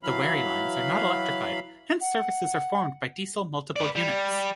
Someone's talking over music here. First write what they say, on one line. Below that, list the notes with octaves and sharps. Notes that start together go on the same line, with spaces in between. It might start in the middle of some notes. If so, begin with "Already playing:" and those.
The Wherry Lines are not electrified, hence services are formed by diesel multiple units.
E3 F#3 F5 B5
F#5
B4 D5
G3